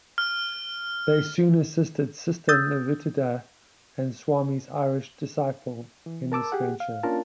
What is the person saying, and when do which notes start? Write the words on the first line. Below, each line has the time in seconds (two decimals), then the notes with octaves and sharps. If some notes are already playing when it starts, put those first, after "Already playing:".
They soon assisted Sister Nivedita, the Swami's Irish disciple, in this venture.
0.18 F6
2.49 D#6 E6 G6 A6
6.06 E3
6.32 A#4 A5 D6 E6
6.52 G4 G#4 F#5
6.80 F5
7.03 A#3 C#4 D4 F4 A#4 A5